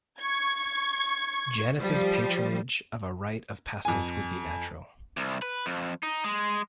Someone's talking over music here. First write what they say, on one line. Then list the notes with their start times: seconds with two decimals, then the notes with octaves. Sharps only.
Janus's patronage of a rite of passage would be natural.
0.20 C#6 G#6
1.79 F3 G3
3.85 F2 G#5
5.17 C2
5.42 B4
5.66 F2
6.03 D#4
6.25 G#3